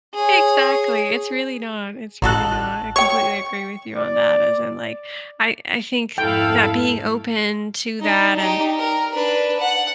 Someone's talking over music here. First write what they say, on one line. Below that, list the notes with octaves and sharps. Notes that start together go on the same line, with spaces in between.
Exactly, it's really not, it's really not, I completely agree with you on that as in like, I I think that being open to that and
G#4 C#5
A1 D#4 F#4 A4 F#6
C#5 G5 C#6
D5
F2 G#2 E4 A4 F5 G5
D4 D#4
D#4 G4
A#4
D4 B4
F#5